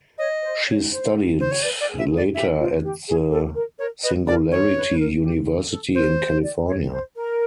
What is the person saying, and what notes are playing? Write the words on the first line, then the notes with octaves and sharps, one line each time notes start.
She studied later at the Singularity University in California.
C#5 D#5
C5
C#5
C5
C5
C#5
B4 D5
D5
G#4
E5
A4
G#4
D5
G4 E5
F4
G4
G#4
A4
A#4
A#4 C#5
B4 D#5
A#4 D5
A#4 C#5
B4
B4
A#4
G4
G#4
A4
A#4 C5
D5
C#5
C5
A#4